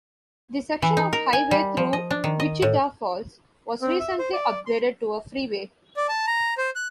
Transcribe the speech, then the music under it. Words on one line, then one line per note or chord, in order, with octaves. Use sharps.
The section of highway through Wichita Falls was recently upgraded to a freeway.
E3
D#4
A#4
G#5
G3
F3
D#5
D4
D#3
D#5
A2
C4
E5
C5
D5
C6
D5
A5
A#5
C5
F#6